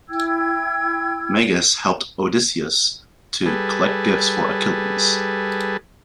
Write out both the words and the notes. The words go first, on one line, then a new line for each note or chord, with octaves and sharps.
Meges helped Odysseus to collect gifts for Achilles.
E4 G5 E6 G#6
G3 G#4 A4 B4